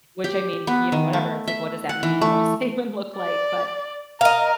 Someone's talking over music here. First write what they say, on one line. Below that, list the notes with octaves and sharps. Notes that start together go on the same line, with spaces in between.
Which I mean, you know, whatever, it's like, "What does that mean? What does it even look like?" But,
G4
B3
D#3
A3
E5
F#5
E3
A3
D5
A#4 D#5 F5